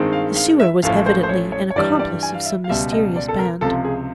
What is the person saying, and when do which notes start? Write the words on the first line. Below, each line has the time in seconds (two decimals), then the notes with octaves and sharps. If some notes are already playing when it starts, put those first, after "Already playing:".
The sewer was evidently an accomplice of some mysterious band.
Already playing: G2 D#3 G#3 C4
0.13 F5
0.36 F5
0.60 E5
0.83 A1 A2 F3 F5
1.06 C5
1.23 C5
1.29 C#5
1.52 C#5
1.70 C#5
1.76 G2 E3 G3 D5
1.99 D5
2.23 G#5
2.34 F5
2.46 E5
2.64 F5
2.69 C#2 B2 G3 E5
2.92 D#5
3.16 D5
3.28 A4
3.39 A#4
3.61 C#2 C3 F3 A4
3.84 G#4